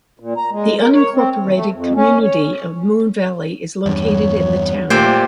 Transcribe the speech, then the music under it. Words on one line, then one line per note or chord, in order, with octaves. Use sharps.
The unincorporated community of Moon Valley is located in the town.
A#2
A#5
G#3
A#4
C#5
C4
D#2
A3
F2
C#4
C#5
E2 G2 B3 C#5
A#2 A3 G4 C5 G5 G#6